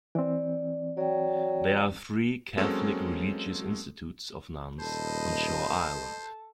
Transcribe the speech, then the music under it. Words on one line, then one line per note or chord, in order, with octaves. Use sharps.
There are three Catholic religious institutes of nuns on Shaw Island.
E3 C4 D5
F#3 D5 G5
F#3 G#3 A#3 C4 C#4 A4
D#1 A4 B4 C5 D#5